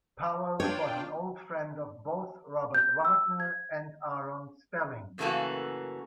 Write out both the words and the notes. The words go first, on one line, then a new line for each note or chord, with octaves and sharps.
Powell was an old friend of both Robert Wagner and Aaron Spelling.
D4 F4 C#5 G5
G6
E6
G#6
F#2 C#3 E3 A3 A#3 F#4